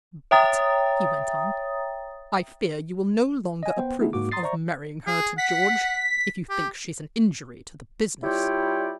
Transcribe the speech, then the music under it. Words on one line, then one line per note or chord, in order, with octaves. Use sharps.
"But," he went on, "I fear you will no longer approve of marrying her to George, if you think she's an injury to the business!"
C#5 E5 G5 A#5 D#6 A6
D#5 G#5
B3 C5 G5
A3 B3 D#4 E4 G#4
G#2 A#3 F#4 D6
A#5 C6 D#6 A6 C7
C5 D5 E5 A#5 C#6
G#4
F#5 B6
G4
G3 E4 F4 C#5 D5 G5